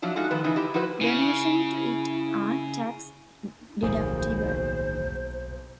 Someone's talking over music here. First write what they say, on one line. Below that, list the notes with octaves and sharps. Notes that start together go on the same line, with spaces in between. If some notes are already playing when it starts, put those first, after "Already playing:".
Donations to it are tax-deductible.
F3 F#3 D4 E4
G#3 A3 D#4 F4 F#4
D#3 F3 A3 B3 B4
C#3 E3 D#4 E4
E4 G4 D#5
F3 E4 F#4 B4 C5
C#3 E4
D1 B1 F2 A2 D#3 A#3 G#4 C5